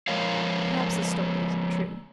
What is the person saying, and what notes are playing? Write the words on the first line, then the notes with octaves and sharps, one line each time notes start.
Perhaps the story isn't true.
F3 G#3 A#4 C#5 F5